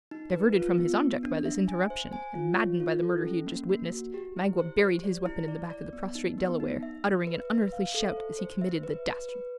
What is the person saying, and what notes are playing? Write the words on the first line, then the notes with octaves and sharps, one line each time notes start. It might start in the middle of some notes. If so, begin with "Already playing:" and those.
Diverted from his object by this interruption, and maddened by the murder he had just witnessed, Magua buried his weapon in the back of the prostrate Delaware, uttering an unearthly shout as he committed the dastardly deed.
D#4
B4
F4
B3
B3
D4
E5
G#5
C5
G#5
F4
C#5
F4
A4
C#4
A#3
A#3
F#4
G4
E4
C5
G4
D5
E4
D5
D5
B3
D#4
B3
D#4
E5
E5
B4
E5
F5
A4
C5
C5
E5
B4
B4
B4